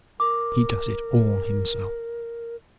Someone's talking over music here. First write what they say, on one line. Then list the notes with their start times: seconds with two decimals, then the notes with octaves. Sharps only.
He does it all himself.
0.20 A#4 D6